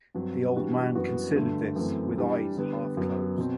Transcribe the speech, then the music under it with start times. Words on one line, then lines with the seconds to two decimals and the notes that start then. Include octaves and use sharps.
The old man considered this with eyes half closed.
0.15 G2 F#3 C4
0.55 E3 G3 D4 F#4
0.95 F#2 E3 G3 B3 F#4
1.35 G2 D3 A3
1.76 F#2 E3 A3 C4
2.17 E3 G3 D4
2.57 D3 G3 B3
2.97 F#2 F#3 B3
3.38 B2 F#3 C4